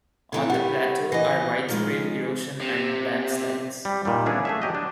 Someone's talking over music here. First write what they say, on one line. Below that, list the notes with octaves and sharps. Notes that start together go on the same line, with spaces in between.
On the plateau are widespread erosion and landslides.
D3 E3 C4
G3 B3 G4 F#5
E3 D#5 A#6
D#3 F3 G#3
C3
G3
A#2 D#3 G3
A#3 B3 C#4 D4 E4 G#4
A3 G#4 E5
F#3 G4 D#5
D4